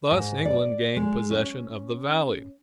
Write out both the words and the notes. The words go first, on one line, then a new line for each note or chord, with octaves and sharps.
Thus England gained possession of the valley.
G#2
D5
G#3
C#4